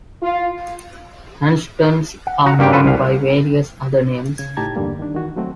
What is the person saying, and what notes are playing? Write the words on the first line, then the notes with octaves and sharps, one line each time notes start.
Handstands are known by various other names.
F4
F#5
F#4 A#5
G2 A#3 G4 D5 G5
F4 F#4 A4 B4 C5
C2 F5
C#3 G#6
A2 D#4 G4 A5 A#5 G#6
E2 G2 D3 G3 A#3
D#3 D4
D#3 E3 F#4
F#3 A3 C4 F#4